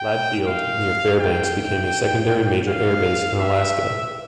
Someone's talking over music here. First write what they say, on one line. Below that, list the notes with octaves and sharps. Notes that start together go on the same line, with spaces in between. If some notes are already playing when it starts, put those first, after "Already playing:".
Ladd Field near Fairbanks became a secondary major air base in Alaska.
Already playing: G5
F5
G5
F5
E5